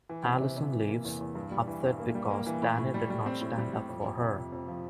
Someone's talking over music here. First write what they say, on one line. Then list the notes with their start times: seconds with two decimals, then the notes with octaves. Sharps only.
Allyson leaves, upset because Danny did not stand up for her.
0.09 E3
0.25 C3
0.41 C3
0.57 C3
0.72 E3
0.89 A#3
1.05 E2
1.21 E2
1.35 G2
1.51 G3
1.68 E3
1.83 G2
2.00 A#3
2.15 G3
2.31 A#3
2.46 E3
2.62 A2
2.79 A2
2.94 G3
3.10 G3
3.26 C4
3.41 A2
3.58 G3
3.73 G3
3.89 F2
4.05 F2
4.20 C3
4.37 F2
4.52 F2
4.68 F3